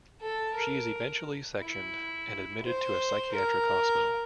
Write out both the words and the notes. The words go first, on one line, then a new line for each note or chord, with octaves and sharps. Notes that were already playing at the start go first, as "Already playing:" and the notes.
She is eventually sectioned and admitted to a psychiatric hospital.
A4
A#4
E4
C5
A#4